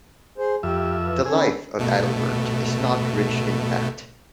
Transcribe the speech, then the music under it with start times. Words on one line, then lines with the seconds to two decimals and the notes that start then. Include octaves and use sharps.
The "Life" of Adalbert is not rich in fact.
0.38 G#4 C5
0.63 F2 G4 E5
1.01 E3
1.26 D3 C#4 G#4 A4
1.37 B3
1.79 B2 A3